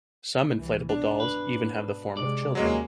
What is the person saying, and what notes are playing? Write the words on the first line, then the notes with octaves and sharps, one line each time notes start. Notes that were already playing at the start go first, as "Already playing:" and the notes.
Some inflatable dolls even have the form of children.
C2 E3
B2 D4
G#2 B2 B4
C3 G#3 D5
D#2 F#3 G#3 A#3 C#4